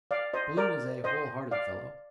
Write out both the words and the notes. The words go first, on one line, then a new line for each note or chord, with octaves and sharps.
Balloon is a whole-hearted fellow.
D5 F5
C5 D#5
A#4 D5
C5 D#5
D5 F5